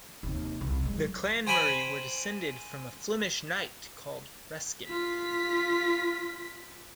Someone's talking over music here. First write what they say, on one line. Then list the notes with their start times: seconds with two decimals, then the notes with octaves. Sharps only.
The Clan Murray were descended from a Flemish knight called Freskin.
0.23 D#2 C3
0.61 C2
0.83 F#3 G#3
1.47 C5 G5 G#5 B5
4.87 F4 B6